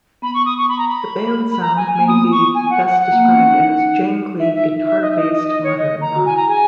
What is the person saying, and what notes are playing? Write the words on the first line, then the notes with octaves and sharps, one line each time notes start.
The band's sound may be best described as jangly guitar-based modern rock.
B3 B5
C#6
D#6
C#6
B5
A#5
B5
B5
A#5
G#5
G#5
A#3
B3 D#6
C#6
G#5
F#5
F#5
F#5
A#3
B3
C#4
D#4
D#4 E5
E5
E5
D#5
E5
D#5
D#5
D#5
C#5
D#5
A#5
F#4
E4 G#5
A#5
G#4 G#5